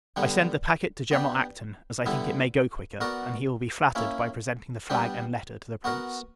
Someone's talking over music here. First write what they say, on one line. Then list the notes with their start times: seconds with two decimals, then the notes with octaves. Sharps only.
I send the packet to General Acton; as I think it may go quicker, and he will be flattered by presenting the flag and letter to the Prince.
0.16 D3 G3 B3 D4
1.11 B3 D4 G4
2.06 D3 G3 B3 E4
3.01 B3 F#4 A#4 D5
3.95 A#3 C#4 E4
4.90 G3 B3 D4 G4
5.84 B3 F#4 A#4